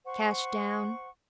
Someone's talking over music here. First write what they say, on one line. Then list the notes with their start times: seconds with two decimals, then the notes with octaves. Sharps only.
"Cash down?"
0.05 C5 F#5 C#6